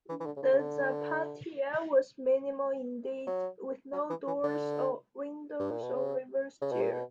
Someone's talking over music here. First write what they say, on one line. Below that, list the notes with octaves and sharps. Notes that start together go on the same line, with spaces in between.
The Zapatilla was minimal indeed, with no doors or windows or reverse gear.
E3
E3
D3
C#3
D3
C#3
D3
F#3
F#3
E3
E3
D3
G2
A#2
B2
C#3
C#3
B2
A#2
B2